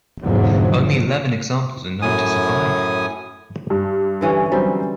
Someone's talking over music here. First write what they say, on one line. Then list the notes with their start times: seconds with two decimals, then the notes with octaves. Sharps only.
Only eleven examples are known to survive.
0.22 F1 E2 G#2 D3 F3 F#3
2.02 F#2 A2 G#5 D#6
3.70 G2
4.21 D3 E3 C#4
4.52 F#3 G3 C4